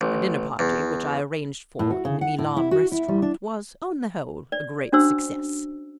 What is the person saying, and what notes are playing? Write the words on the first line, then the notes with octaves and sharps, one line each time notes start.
The dinner party, which I arranged for in the Milan restaurant, was, on the whole, a great success.
A1
E2
A2
F#4
C#3
F#5
A2
E4
F#4
E4
G3
D4
D5
C#4 D4 F#4 C5 E6